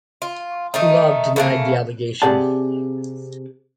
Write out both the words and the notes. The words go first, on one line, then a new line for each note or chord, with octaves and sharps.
Kulov denied the allegation.
F4
D#3 A3 D#4
C#3 A3 A#3
C3 G4 G#4 D5 F#5 A5